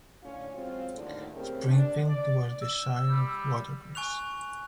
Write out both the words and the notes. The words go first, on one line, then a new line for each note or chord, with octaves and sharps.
Springfield was the sire of Watercress.
A2 D3 C#4 F4
F#3 G#3 C4 F4
D#2 A2 D3
C#3 A3 C4 G4 A#4
D4
D5
E6
G3
G#5 C#6 F#6 F7